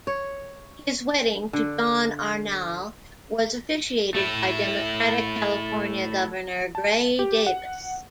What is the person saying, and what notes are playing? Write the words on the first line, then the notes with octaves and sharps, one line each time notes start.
His wedding to Dawn Arnall was officiated by Democratic California Governor Gray Davis.
C#5
D3
A3 E4
A5
G4
F#5